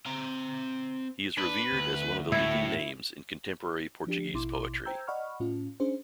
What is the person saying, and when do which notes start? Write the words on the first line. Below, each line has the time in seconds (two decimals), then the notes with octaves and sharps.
He is revered as one of the leading names in contemporary Portuguese poetry.
0.06 C4 A#5
1.38 D4 B4
1.72 D2
2.32 A2 E4
4.07 F3 D4 G4
4.34 A1 B2 E4 C6 D6
4.84 C5 G5 A#5 E6 G6 G#6
5.07 D5 D#5 F#5 B5 C#6 F6
5.40 A2 C#4 F4
5.80 C#4 D4 G#4 C5